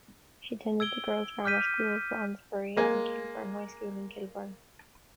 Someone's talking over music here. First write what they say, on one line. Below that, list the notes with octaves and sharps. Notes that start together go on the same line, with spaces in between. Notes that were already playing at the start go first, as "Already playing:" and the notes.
She attended the girls' grammar school Brondesbury and Kilburn High School in Kilburn.
E6 G#6 D7 G7
D6 F6 G6 B6 D#7
G#3 A#3 G#5